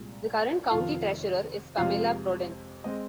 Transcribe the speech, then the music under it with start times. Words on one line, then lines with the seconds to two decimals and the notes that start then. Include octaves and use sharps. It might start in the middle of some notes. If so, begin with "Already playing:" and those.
The current county treasurer is Pamela Prodan.
Already playing: C2 A#2 G#3
0.71 F1 F2 D#3 F4 F5
1.77 F2 C3 G#3 F4 F5
2.84 G#3 C4 D#5